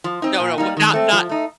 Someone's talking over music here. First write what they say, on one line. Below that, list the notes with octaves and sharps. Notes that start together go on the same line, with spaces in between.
No, no, w not not
F3
C4 D#4
A#2
G3 A#3 D#4
D#3
A3 C4
F3
A3 D#4